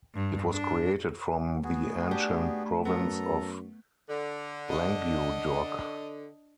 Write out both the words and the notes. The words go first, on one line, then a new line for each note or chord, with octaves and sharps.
It was created from the ancient province of Languedoc.
G2
D4
A3 B3 F#4 G#4
D4 G4
F#2 B3 A4 A#5
D3
D4 D#5